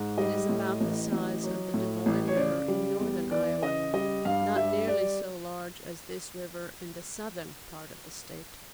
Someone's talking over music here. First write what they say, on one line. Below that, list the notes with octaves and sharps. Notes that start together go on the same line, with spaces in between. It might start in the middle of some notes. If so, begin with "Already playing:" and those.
It is about the size of the Des Moines river in northern Iowa, not nearly so large as this river in the southern part of the state.
Already playing: G#2
G3 D#5
A2
A1
A1
F#3
A2
A1
C#5
C#3 D5
G3
E2
E3 D5
C#3 D#5
G3 D#5
G2 F5
G3 E5
D5